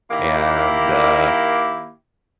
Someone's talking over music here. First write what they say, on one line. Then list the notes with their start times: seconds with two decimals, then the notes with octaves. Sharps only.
and, uh,
0.10 D#3 A#3 E4 G4